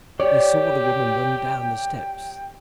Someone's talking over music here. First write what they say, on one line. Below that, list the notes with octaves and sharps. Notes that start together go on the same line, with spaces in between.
They saw the woman run down the steps.
G4 C#5 D5 G5